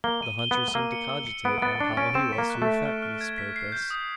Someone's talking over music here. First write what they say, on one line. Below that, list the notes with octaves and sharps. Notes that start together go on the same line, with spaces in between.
The hunter seemed to cogitate on how he was to effect this purpose.
A#3 G7
D#7
G7
B3
G7
A#3 E6
C#7
E6
C#7
B3 D7
B3 A6
D4 C#6
C#4 D7
C4 E7
B6
A#3
F#6
A3
B6
F6
F6
G#6
B6
C7
G6
D#6